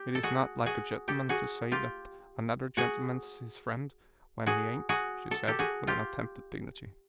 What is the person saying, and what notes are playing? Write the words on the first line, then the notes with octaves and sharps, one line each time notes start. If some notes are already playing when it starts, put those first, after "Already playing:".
"It is not like a gentleman to say that another gentleman's his friend when he ain't," she said, with an attempt at dignity.
Already playing: G4
A4
F#4 G#4
F#4 G#4
G4 A4
F#4 G#4
F4 G4
F#4 G#4
F#4 G#4
F#4 G#4
A4
G4 A4
F#4 G#4
F4 G4